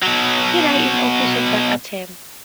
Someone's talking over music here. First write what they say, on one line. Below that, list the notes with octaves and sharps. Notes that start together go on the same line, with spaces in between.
He died in office of that attempt.
B2 F#3